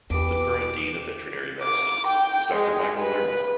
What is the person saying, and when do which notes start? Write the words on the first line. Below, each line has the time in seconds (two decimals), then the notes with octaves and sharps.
The current Dean of Veterinary Medicine is Doctor Michael Lairmore.
0.10 E2 B2 E3 G4 D6
1.63 D6
2.07 G5
2.54 G#3
2.98 B4